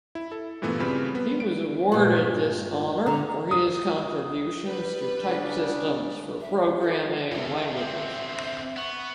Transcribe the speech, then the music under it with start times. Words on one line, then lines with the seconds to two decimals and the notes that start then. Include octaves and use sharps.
He was awarded this honor for his contributions to type systems for programming languages.
0.15 E4
0.32 A4
0.62 G2 A#2 E3 A3 B3
0.80 C#3 F3 G3 C4 C#4 B4
1.15 B3
1.40 D7
1.92 G2 A#2
3.06 D3 A#5
3.51 D#6
4.65 G3 B4
5.24 C#3 D4
6.41 E5
6.81 A4
7.32 E2 G2 E5
7.77 D3 C4
8.77 B3 C#6